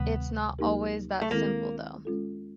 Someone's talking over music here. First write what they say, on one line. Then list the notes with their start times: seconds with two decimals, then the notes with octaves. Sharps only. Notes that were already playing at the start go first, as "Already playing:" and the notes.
It's not always that simple, though.
Already playing: D2 C3 D#3 G3 B3
0.59 F#3 A#3 D#4 G4 A#4
1.21 A3
1.31 D#3 G#3 A#3 C4 E4 A4
2.05 G#3 C#4 F4 A4